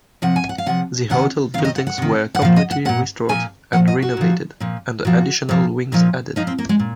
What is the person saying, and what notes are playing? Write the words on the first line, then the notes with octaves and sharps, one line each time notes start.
The hotel buildings were completely restored and renovated, and additional wings added.
C3 F3 F#5
G#5
F#5
F5
C3 F3 F#5
C3 D#3 F#5
C3 F5
D#3
D#5
F#5
F#5
C3 D#3
F#5
A#2 F3 F5
D#5
F#5
A#2 F3 F#5
A#2 F3 G#5
A#2 F3 F#5
D#5
F#4
A#2 F3
A#2 F3
A#2 F3 F#4
A#2 F3
A#2 F3 D#4
A#2 F3 D#4
C4
A#3
G#3
A#2